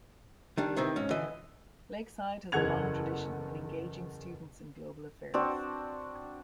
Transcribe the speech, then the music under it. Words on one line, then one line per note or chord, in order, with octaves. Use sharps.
Lakeside has a long tradition in engaging students in global affairs.
D#3 G3 D4
C3 D#3 E3 C4
G#2 C#4
D3 E3 D#5
F#1 E2 A4 F#5 G#6 F7
C4 D4 F#4